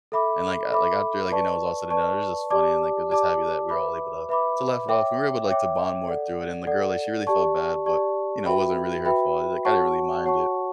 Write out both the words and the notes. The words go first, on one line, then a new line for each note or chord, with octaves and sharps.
and, like like, after, like, you know, it was all said and done, it was just funny, and, like, I'm just happy that we're all able to to laugh it off, and we were able to, like, to bond more through it, and the girl, like, she really felt bad, but, you know, it wasn't really her fault, like, I didn't really mind it.
A4 E5 B5 D6
A4 E5 B5 D6
B4 D5 A5 C#6
B4 D5 A5 C#6
G4 D5 A5 D6
G4 D5 A5 D6
B4 E5 B5 D6
B4 E5 B5 D6
C#5 E5 G5 D6
C#5 E5 G5 D6
A4 D5 F#5
A4 D5 F#5
G4 D5 A5 C#6
G4 D5 A5 C#6
F#4 B4 E5 G5 B5
F#4 B4 E5 G5 B5
F#4 C#5 F#5 A5 C#6
F#4 C#5 F#5 A5 C#6